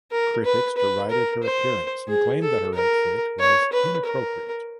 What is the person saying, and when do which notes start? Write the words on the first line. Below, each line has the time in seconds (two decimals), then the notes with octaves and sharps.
Critics derided her appearance and claimed that her outfit was inappropriate.
0.12 A#4
0.45 B4
0.77 B4
1.10 A#4
1.43 C5
2.08 G#4
2.42 A4
2.74 A#4
3.40 C#5
3.72 B4
4.05 A#4